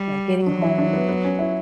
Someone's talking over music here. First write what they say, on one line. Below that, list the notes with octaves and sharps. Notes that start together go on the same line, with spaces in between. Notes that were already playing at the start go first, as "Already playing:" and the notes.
you know, getting home,
Already playing: G3
F#3 D4
E4
D4
B3
B3
C#4
E4